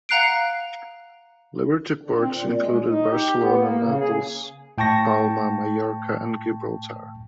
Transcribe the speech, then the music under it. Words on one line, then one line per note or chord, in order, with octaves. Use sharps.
Liberty ports included Barcelona, Naples, Palma Majorca, and Gibraltar.
F5 F#5 A#5 F#6 C7 D7
D3
C4
A#2
G#3
A2
D#4
G4
B3
A#3
C#3
G#4
A2 G5 A5 C#6 A#6